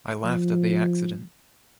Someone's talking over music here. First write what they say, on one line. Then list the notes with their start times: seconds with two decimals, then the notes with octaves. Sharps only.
I laughed at the accident.
0.25 F3